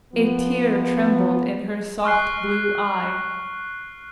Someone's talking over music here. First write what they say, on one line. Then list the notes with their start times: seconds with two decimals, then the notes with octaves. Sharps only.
A tear trembled in her soft blue eye.
0.14 F3 B3
2.04 C#6 F6 F#6 C7